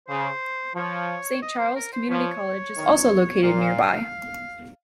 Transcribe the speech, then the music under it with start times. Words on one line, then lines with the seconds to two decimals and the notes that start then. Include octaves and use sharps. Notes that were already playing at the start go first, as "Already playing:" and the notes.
Saint Charles Community College is also located nearby.
0.08 C#3 C5
0.75 F3 C#5
1.42 D#5
1.59 C5
1.76 A#4
1.93 C5
2.10 F3 C#5
2.76 D#3
3.43 A#2 F5